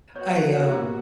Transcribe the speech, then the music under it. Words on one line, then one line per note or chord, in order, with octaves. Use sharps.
I, um,
B3 F#4 C#5 G6
G#2 A#3 G4 E6